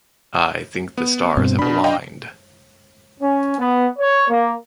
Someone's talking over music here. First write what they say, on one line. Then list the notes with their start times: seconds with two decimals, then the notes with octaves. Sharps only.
I think the stars have aligned.
0.98 B3
1.37 G2 B2 C4
1.59 B2 D4 B5
1.84 D#5 F5 G5
3.20 C#4
3.58 B3
3.98 C#5
4.29 A#3